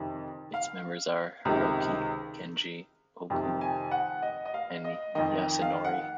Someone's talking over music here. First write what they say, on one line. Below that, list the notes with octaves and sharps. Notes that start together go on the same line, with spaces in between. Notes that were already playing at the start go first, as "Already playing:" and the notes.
Its members are Hiroki, Kenji, Ogu and Yasunori.
Already playing: F2 C3 D#3
F5
C#2 C3 D#3
F2 C3 D#3
G#5
F#5
D#5
D#5
F5
D#5
F2 D#3 D#5
D#5
F5
F#5